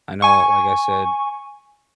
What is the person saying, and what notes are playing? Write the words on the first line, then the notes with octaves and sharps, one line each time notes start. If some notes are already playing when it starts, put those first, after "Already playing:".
I know like I said,
G#5 C#6